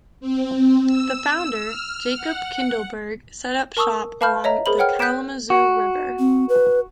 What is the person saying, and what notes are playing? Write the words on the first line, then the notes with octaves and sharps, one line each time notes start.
The founder, Jacob Kindleberger set up shop along the Kalamazoo River.
C4
E6
F6
F#5
A#4 A5 C#6 D#6 E6
B4 F5 A5 B5 F6 G6
C#5 D#5 E5 A#5
G#4 A#4 C5 B5 F#7
B4 C#5 F#5 G5 F6
F#6 G6 B6 D7 E7
F#4
C4
B4